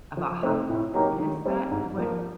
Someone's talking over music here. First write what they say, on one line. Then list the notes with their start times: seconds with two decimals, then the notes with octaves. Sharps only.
about how to notice that, what
0.17 F3
0.43 A3 C4 D#4
0.69 A2
0.94 F#3 A#3 D#4 G4
1.20 D#3
1.45 G3 C4
1.71 G#2
1.98 F3 A#3